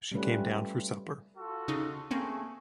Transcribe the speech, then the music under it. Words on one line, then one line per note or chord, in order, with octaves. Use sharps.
She came down for supper.
G3 A3 C#4 F4 B4
F4 F#4 A4
C#3 D#4
A3 A#3 C4 C#4 G#4 C#6